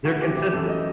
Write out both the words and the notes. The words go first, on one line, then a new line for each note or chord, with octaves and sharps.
They're consistent,
A3 F#4
C4 G4
E3 G4
F#2 A4
A3 D#5